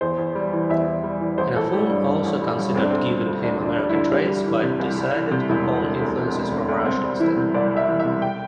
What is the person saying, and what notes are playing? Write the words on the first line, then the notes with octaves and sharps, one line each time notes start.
Inafune also considered giving him American traits, but decided upon influences from Russia instead.
E2 C5
E2
G3
E3
E2 E5
E2
G3
E3
A1 C5
A1 A4
G3 G4
G2 D4
A1
A1
G3
G2
D2 C4
D4
D2 C4
G3
D3
D2 D4
D2
D4
G3
E4
D3
C2 G4
G3
E3
C3
C2
G3
E3
C3
E1 E4
E1
D3
D2
E1
E1
D3
D2
C2 C4
G3
E3 E4
C3
C2 D5
G3
E5
E3
E5
C3
G5